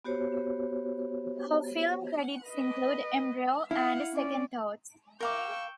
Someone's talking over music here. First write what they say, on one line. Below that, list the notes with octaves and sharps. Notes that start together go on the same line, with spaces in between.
Her film credits include "Embryo" and "Second Thoughts".
B3 F#4 G4 C5 C#5
B4 D#5
E4 F5 F#5
C#4 D5
A#4 F5 G5 C#6 D6 E6